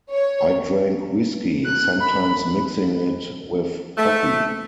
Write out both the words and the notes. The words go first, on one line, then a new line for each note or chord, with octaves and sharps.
I drank whiskey, sometimes mixing it with coffee.
C#5
F#6
B5
A3